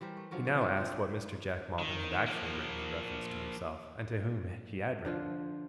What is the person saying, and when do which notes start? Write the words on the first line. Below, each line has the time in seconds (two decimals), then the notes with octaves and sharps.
He now asked what Mr. Jack Maldon had actually written in reference to himself, and to whom he had written?
0.01 E3 G3 A#4 C5
0.17 A3
0.31 D3 F3 F#3 A#4
0.45 C3 F3
0.58 G2 C4 F4
0.77 C4 D4 D#4 C5
1.79 D#3
2.26 F3 A#3
5.05 D3 F3 F4